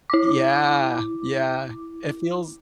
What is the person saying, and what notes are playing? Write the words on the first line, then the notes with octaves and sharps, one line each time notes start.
Yeah, yeah, it feels
E4 D6